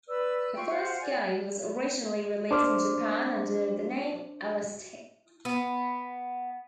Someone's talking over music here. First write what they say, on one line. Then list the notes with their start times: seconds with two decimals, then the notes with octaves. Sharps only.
The first game was originally released in Japan under the name Aleste.
0.08 B4 D5 E6
0.56 F4 G5 C#6
0.69 F4 C5 F5 F#5
1.02 D5 F#5 G#5
2.51 D4 C5 D6 F6
5.45 B3